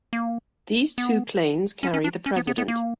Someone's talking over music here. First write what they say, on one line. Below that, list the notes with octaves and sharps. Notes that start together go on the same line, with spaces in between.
These two planes carry the President.
A#3
B3
C#4
C#4
D4
C#4
B3
B3
B3
A#3